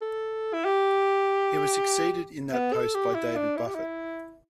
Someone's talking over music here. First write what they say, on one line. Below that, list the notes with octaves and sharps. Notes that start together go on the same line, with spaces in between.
He was succeeded in that post by David Buffett.
A4
E4
G4
B3
A4
G4
E4
D4
E4
G4
E4